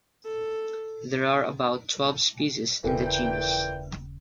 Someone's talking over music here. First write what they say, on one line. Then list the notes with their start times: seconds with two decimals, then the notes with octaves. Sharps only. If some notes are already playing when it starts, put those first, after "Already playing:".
There are about twelve species in the genus.
0.25 A4
2.84 D#1 A#2 C#3 E3 A4 A#4 G5